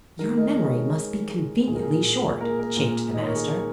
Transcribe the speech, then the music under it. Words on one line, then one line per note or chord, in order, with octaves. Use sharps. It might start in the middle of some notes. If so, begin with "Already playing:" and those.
"Your memory must be conveniently short," chafed the master.
D#3 A#4
A#4 D#5
G#3 G#4 C#5
D#5
G#4 C#5
D#3
G#3
A#2 G#4
A#4
G#4
A#2
A#3 A#4
G#4
A#4
A#2
D#3 D#5
C#5
A#4
G#4 C#5
A#3